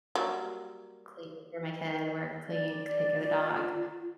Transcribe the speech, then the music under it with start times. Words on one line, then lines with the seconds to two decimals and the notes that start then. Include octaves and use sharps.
clean for my kid, work, clean, take care of the dog,
0.15 F#3 G3 A#3
2.47 D5
3.21 F4